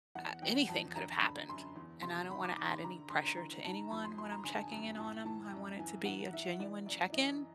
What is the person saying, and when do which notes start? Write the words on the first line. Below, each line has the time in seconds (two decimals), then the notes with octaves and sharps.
a anything could've happened, and I don't want to add any pressure to anyone when I'm checking in on 'em. I want it to be a genuine check-in,
0.15 E2 F#5
0.42 E2 G5
0.69 F2 A5
0.95 D3 A#5
1.22 D3 B5
1.49 F#2 C6
1.76 E2
2.03 C3 C6
2.29 D#3 B5
2.44 D6
2.56 D#3 D6
2.70 C6
2.84 D3 A#5
3.10 D3 C6
3.37 E3 A#5
3.64 G#2 A5
3.91 F2 B5
4.05 C6
4.18 F2 C6
4.32 A#5
4.44 D3 G#5
4.53 A5
4.62 G#5
4.71 F#2 A5
4.98 A2 A5
5.25 E3 A5
5.52 F#2
5.79 E3 G#5
6.05 E3 F#5
6.33 E3 E5
6.59 E3 D5
6.86 F#2 D5
7.12 E3 D#5